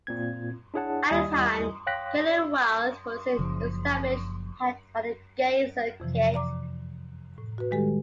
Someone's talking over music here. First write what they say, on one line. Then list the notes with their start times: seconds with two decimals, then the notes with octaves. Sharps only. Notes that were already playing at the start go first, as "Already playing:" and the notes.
At the time, Kelly Wilde was an established act on the gay circuit.
0.07 A#2 C4 G#6
0.74 D4 E4 G#4 C#5 F#5 A5
1.10 D#2 G3 E4 D#5 G#5 D#6
1.87 C#5 F5 G5 F#6 A#6 B6
2.18 D5
2.38 E6
3.39 F#1 C#3 F3
6.00 F2 C3 E3 F3
6.34 D5 A#5 D6
7.38 A2
7.58 F#4 B4
7.71 D#3 G3 G#3 G4 A4